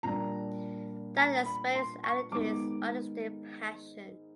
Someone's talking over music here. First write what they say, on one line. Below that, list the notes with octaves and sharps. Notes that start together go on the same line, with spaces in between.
That experience added to his artistic passion.
A#2 G3 A#3 D4 A#5
A#5
B5
C6
C#6
G#2 D#3 G#3 B3 D#4 D6